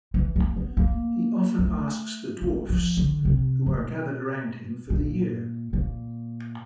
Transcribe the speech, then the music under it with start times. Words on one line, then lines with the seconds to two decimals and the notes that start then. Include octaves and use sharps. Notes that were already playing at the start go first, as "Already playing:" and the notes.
He often asks the dwarfs who are gathered around him for the year.
0.14 E3
0.36 A#3
0.56 B3
0.77 A#3
1.59 A3
2.42 G3
2.69 F3
2.97 D3
3.25 C3
3.66 B2
4.90 A#2
5.73 A#2